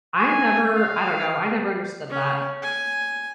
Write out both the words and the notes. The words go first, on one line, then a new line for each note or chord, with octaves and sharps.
I never I don't know, I never understood that.
G#5
F5
C#4
G#5